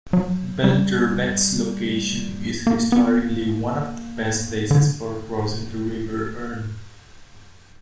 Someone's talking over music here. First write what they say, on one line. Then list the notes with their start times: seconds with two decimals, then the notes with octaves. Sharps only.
Belturbet's location is historically one of the best places for crossing the River Erne.
0.13 F#3
0.64 G3
2.67 A#3
2.92 B3
3.17 A#3
4.71 D3